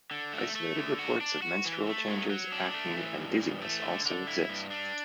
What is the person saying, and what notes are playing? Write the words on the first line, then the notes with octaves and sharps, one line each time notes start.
Isolated reports of menstrual changes, acne, and dizziness also exist.
D3
A3
A3
D3
F#4
D4
F#4
E3
A3
F#3
F#3
D4
A3
E3
G2
E3
A3
D3
D3
E4
G2
D4